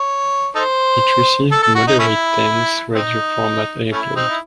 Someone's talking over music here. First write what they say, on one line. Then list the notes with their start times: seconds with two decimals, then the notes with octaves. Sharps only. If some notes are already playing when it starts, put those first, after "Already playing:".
It received moderate dance radio format airplay.
Already playing: C#5
0.55 D#4 A4 C5
1.51 A4
1.63 A4
1.75 F#4
1.87 D#4
1.99 A3 C#4 E4
2.95 C4 D#4
3.92 A3 C#4 E4
4.16 C4 D#4
4.28 E4